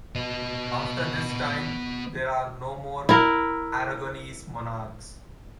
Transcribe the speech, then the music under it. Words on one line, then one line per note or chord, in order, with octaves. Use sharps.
After this time, there are no more Aragonese monarchs.
B3 D#5
E4 A#4